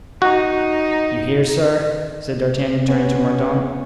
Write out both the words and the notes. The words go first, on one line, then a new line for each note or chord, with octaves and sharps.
"You hear, sir," said D'Artagnan, turning to Mordaunt.
D#4 F#4
B3 C#4